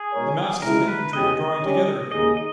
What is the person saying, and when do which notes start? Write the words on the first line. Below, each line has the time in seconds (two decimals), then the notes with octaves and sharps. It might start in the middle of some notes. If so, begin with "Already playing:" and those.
The masses of infantry are drawing together again.
Already playing: G#4
0.13 B2 G#3 D#4 A#4 C#5
0.62 C#2 B2 G#3 B3 E4 A#4
0.88 B4
1.13 E2 B2 G#3 C#4 G4 D#5
1.37 D#5
1.62 G3 C#4 G4
2.12 D#2 C#3 G#3 D#4 G#4 D#5
2.37 D#5